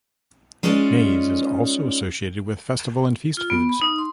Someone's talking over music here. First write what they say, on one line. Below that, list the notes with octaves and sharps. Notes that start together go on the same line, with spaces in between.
Maize is also associated with festival and feast foods.
G#3 C#4 D#4 F4 D5
F4
B3
B5
D#4
C6